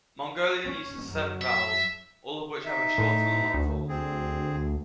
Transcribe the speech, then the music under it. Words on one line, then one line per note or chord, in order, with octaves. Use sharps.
Mongolian uses seven vowels, all of which have a short and a long form.
C#4
F#2 F#3
E5
D#4 E5
A2
D2
C4 G#4